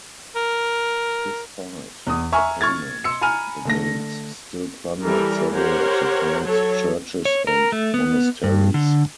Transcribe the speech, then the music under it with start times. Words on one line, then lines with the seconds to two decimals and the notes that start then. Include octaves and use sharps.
Despite the payment, the Danes still plundered several of the town's churches and monasteries.
0.36 A#4
2.07 E2 D#6
2.32 E5 G#5 A#5 C#6 F6
2.61 C#6 F6 G#6 A6
3.04 C6 E6 C#7
3.21 G#5 A#5 B5 F6 D#7
3.65 D3 A3 A#6
5.02 E3 G3 A4 A#4
5.53 G4 A#4 C5 C#5 F#5
6.44 F#3 A4 C#5
7.25 C#5
7.47 A#4
7.72 A3
7.94 B3
8.44 G2
8.74 D3